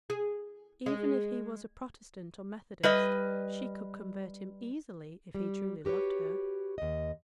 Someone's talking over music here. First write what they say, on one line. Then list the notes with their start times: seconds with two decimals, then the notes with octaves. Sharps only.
Even if he was a protestant or methodist she could convert him easily if he truly loved her.
0.10 G#4
0.86 G#3
2.83 G3 B4 D#5
5.35 G3
5.85 F#4 G4 A#4 B4 C#5
6.78 D#2 D#5